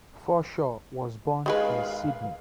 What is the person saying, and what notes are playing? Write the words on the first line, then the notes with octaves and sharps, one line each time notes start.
Forshaw was born in Sydney.
D#3 G#3 B4 F5